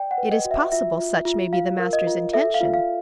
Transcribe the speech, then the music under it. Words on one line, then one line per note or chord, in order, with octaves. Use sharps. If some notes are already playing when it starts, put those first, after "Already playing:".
"It is possible such may be the master's intention."
Already playing: D5 G5
F#5
B4
D#5
F#4
E5
F4 E5
F4
F4
F4 F5
A#4
D#5
F4
A4 E5
F5
F4
F5